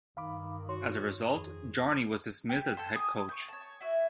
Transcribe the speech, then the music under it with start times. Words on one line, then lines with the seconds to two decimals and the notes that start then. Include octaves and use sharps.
As a result, Jarni was dismissed as head coach.
0.17 G2 D#3 F5 B5 D6
0.69 F#4 C#5 C6
1.32 F2 D#3 G#4
2.49 G4
2.77 A4 G5 A5 C6
2.92 G#5 B5 D#6
3.29 C#6 G6
3.48 C#5 A5
3.81 E4 F#4 E5